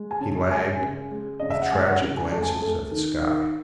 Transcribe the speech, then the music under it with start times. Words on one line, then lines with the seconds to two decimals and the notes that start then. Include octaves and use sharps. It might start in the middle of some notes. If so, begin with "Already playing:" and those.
He lagged, with tragic glances at the sky.
Already playing: G#3
0.11 G#5
0.20 C#3 A5
0.51 G#3 G#5
0.81 C#3
1.11 G#3
1.40 C#3 D#5
1.50 E5
1.61 F#5
1.72 G#3 G#5
1.86 F#5
2.01 C#3
2.17 G#5
2.32 A3 A5
2.42 G#5
2.54 A5
2.62 A3
2.92 D#3
3.22 D#3